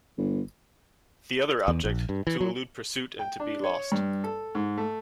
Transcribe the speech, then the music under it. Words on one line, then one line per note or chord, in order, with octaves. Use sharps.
The other object, to elude pursuit and to be lost.
G1
E2
A#1
G2
E3
F#3
G5
D4
C#5
G2
A4
G#2
A3